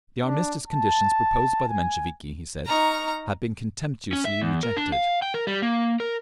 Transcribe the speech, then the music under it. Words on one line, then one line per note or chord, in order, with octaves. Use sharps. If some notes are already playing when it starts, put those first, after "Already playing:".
The armistice conditions proposed by the Mensheviki, he said, had been contemptuously rejected.
D4
A5
G#5
D#4 A#5 C#6 F6
C#4
E5
E2
A#4
D4
F5
G5
A#4
G3
A#3
A#4